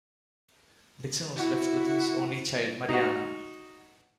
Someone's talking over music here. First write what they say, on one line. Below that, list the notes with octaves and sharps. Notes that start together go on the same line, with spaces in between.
Dixon was left with his only child, Marianna.
E4 F#4
D#4 F#4